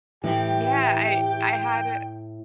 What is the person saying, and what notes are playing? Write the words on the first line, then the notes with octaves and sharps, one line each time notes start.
Yeah, I I had a
A2 E3 G4 G5